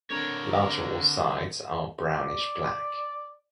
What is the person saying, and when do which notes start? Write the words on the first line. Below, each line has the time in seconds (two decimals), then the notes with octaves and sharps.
Lateral sides are brownish black.
0.10 D3 C4 D4 A4 A#4 C#5
2.14 D5